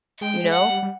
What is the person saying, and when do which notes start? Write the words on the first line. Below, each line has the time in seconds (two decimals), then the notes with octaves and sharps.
you know?
0.21 G#3 G5
0.44 G#3
0.51 F#5
0.65 G3
0.83 G3